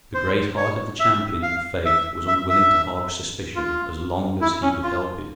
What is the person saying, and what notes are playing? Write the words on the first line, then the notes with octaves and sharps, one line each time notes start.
The great heart of the Champion of the Faith was unwilling to harbor suspicion as long as he could help it.
C5
C#5
E5
F5
E5
E5
E5
F4
E4
C#4
F4